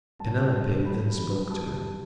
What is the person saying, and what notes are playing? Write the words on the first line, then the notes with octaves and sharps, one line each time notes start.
Penelope then spoke to him.
G2 A5
G3
F#2 B5
F#2
G3 A5